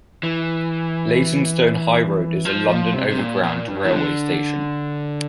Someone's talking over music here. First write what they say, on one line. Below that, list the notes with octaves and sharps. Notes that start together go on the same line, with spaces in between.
Leytonstone High Road is a London Overground railway station.
E3
F3
F3
C3
C3
A#2
A#2
G2
E3
D3